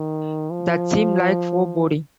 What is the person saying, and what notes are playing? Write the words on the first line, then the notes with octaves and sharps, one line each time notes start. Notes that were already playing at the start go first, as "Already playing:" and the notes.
That seemed like foreboding.
Already playing: D#3
F3